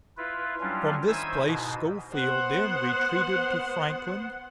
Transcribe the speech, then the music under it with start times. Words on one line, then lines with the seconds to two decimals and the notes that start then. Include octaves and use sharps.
From this place Schofield then retreated to Franklin.
0.17 E4 F4 B4
0.61 F#3 G3 C#4 D4 F4
1.07 D#3 E4 C5 G#5 E6 G#6
1.45 G#2 B2
2.12 B3 C5 F#5